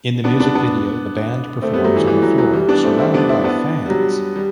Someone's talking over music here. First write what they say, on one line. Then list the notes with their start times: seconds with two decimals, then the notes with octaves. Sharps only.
In the music video, the band performs on a floor surrounded by fans.
0.24 B3 D4
0.39 B3 D4
0.55 B3 D4
1.62 A3 C4
1.73 G3 B3
1.84 F#3 A3
1.96 E3 G3
2.07 E3
2.22 F#3
2.38 F#3
2.53 E3 G3
2.68 B3 D4
2.84 A3 C4
2.98 C4 E4
3.14 B3 D4
3.29 C4 E4
3.44 B3 D4
3.86 G3
3.90 F#3
4.36 G3